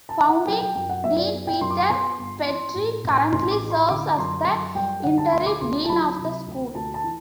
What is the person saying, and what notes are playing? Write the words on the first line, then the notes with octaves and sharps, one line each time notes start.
Founding dean Peter Petri currently serves as the interim dean of the school.
A5
E3
F#5
F#3 G5
G5
F#2 G5
F#5
F#2 E5
D5
B3
G5
F#2 C6
D6
C6
B3 C6
G1
E3
A2
A1
A1 C6
D6
E3
C6
D3 D6
D6
F#2 C6
F#2 C6
G3 G5
D3 F#5
A5
D2 C6
D6
D2 C6
A5
F#3 B5
C3
D2
D2 A5
A5
E3